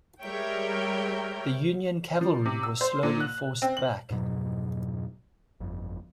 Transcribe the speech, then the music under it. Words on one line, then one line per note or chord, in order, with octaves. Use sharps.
The Union cavalry was slowly forced back.
G3 G#3 A#4 C#5 E5 G5
F3
C3
E6
C5
A#2
F#6
C4
F#7
F2 G#2 B2 F#3
G1 F2